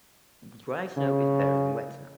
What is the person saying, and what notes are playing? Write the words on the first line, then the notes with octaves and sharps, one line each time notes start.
D dry snow is better than wet snow.
C#3